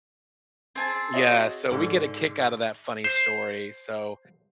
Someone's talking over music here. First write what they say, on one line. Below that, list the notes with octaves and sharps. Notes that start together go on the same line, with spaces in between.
yeah, so we get a kick out of that funny story, so,
C4 G#4 A5
F#4 C#5 D#5
G#2 D3
C5